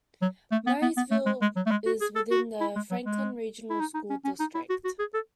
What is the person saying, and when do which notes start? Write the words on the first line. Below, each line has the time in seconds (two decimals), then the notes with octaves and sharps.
Murrysville is within the Franklin Regional School District.
0.22 F#3
0.52 A3
0.67 B3
0.82 B3
0.97 B3
1.11 A3
1.26 G#3
1.42 G#3
1.56 F#3
1.66 A3
1.71 G#3
1.86 F#4
2.01 G#4
2.16 A4
2.31 F#4
2.61 E4
2.76 G#3
2.91 F#3
3.05 G#3
3.70 E4
3.80 D#4
3.94 D#4
4.10 C#4
4.25 C#4
4.40 D#4
4.55 E4
4.69 F#4
4.84 F#4
4.99 G#4
5.14 A4